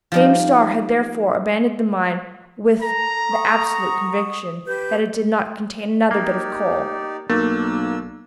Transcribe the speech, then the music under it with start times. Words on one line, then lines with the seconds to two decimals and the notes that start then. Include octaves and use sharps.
James Starr had therefore abandoned the mine with the absolute conviction that it did not contain another bit of coal.
0.12 F3 G3 D#4
2.81 A4 A#5
3.31 F#5 C#6 D#6
4.66 G4 B4 G6
6.11 A#3 D#4 G4 D5
7.30 B1 A3 A#3 D4 E6